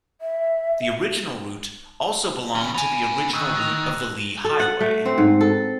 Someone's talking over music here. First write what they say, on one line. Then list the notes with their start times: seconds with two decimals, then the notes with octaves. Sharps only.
The original route also belonged to the original route of the Lee Highway.
0.21 E5
2.55 E3 C#4
2.74 B3 G#5 F7
3.33 D#3 C#6 E6 F#6
3.55 D#3 F#6 A#6 F7
4.44 A4
4.60 F#5
4.81 A3
5.05 C4
5.18 G#2
5.41 A4